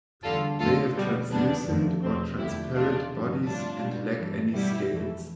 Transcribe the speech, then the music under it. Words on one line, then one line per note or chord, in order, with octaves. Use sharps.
They have translucent or transparent bodies, and lack any scales.
E2 D3 G3 F4 A4
F2 D3 F3 A3 F4 A4
B2 G3 B3
E2 C3 G3 B3 D4
F2 D3 F3 A3
E2 B2 A3 C4
E2 D3 F3 A3 E4 G4
B2 A3 D4 F4
G2 D3 F3
A2 G3 D4 F4
B2 G3
G2 E3 A3
B2 G3 E4 G4
F2 E3 A3